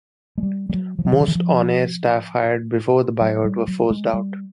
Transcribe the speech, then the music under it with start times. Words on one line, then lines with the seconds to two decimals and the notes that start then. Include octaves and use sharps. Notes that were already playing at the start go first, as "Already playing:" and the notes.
Most on-air staff hired before the buyout were forced out.
0.38 G#3
0.43 G3
0.69 G3
0.74 F#3
0.99 F3
1.05 F#3
1.13 D3
1.21 D#3
1.28 E3
1.35 F3
3.21 F#3
3.45 G3
3.68 F#3
3.90 G#3
4.13 G3